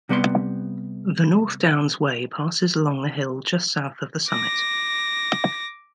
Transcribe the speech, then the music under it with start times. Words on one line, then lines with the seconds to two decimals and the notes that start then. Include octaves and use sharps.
The North Downs Way passes along the hill just south of the summit.
0.09 C3 G3 B3 A#5 C6
4.29 D6 A#6